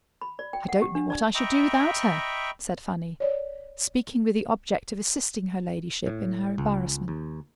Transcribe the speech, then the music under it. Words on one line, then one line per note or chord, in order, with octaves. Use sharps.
"I don't know what I should do without her," said Fanny, speaking with the object of assisting her ladyship in her embarrassment.
B5
D5
G5
F#5
G4
D4
D5
D#5 E5 G5 A#5 B5 C#6
C#5 D5
A2
C#2
D#2